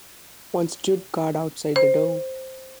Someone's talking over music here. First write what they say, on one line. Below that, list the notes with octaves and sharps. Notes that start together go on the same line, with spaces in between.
One stood guard outside the door.
C5